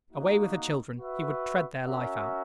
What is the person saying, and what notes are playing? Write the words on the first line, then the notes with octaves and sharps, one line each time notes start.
Away with the children: he would tread their life out!
A#3 D#4 F#4
F#4 B4 E5
C#4 F#4 A#4 E5